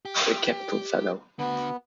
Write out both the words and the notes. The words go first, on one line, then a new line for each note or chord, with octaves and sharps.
A capital fellow!
G4
D3 B3 F#4